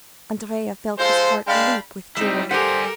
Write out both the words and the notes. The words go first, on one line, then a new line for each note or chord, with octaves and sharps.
Andrea felt his heart leap with joy.
G#3 F4 A4 C5
G#3 D4 F5 G5 A5 B5
G3 G#3 C4 D#4 E4
G3 G4 A4 A#4 C5 F#5 G#5